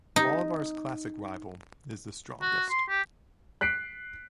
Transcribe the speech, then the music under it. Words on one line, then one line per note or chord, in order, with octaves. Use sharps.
Bolivar's classic rival is The Strongest.
D#4
F#4
C6
G4
F#6 B6 C7 D7